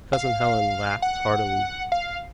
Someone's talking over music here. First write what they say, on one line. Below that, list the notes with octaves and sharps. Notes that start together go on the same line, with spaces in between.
Cousin Helen laughed heartily.
F5
F#5
F5